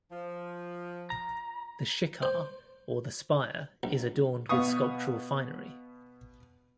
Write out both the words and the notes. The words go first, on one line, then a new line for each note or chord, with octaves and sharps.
The "shikhar" or the spire is adorned with sculptural finery.
F3
A#5
C5
A#1
B2 B3 F5 C#6 D#6